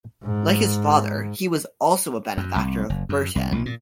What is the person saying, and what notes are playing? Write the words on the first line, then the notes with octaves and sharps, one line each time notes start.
Like his father he was also a benefactor of Burton.
G#2
F#2
C2
F#1
F#2
C2
B1
A#2